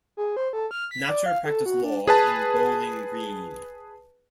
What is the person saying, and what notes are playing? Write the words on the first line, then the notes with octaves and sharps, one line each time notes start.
Natcher practiced law in Bowling Green.
G#4
C5
A4
F6
B6
D5
F5
A4
F#4
D4
G#4 B4 A5